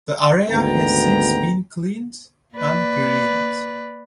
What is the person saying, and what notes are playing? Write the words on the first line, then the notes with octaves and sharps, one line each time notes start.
The area has since been cleaned and greened.
G#1 D2 B3 G5 A#5
A#3 B4 D5